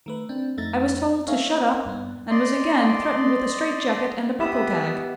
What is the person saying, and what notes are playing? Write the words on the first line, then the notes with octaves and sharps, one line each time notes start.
I was told to "shut up," and was again threatened with a straitjacket and a buckle gag.
D#3 A3 B4
C4 D4
F2 A3 D#4 A6
A#3 D#4 C#5 E5 F5 G#5
G2 B3
D5 D#5 C6
B3 G4 E5 B5 D#6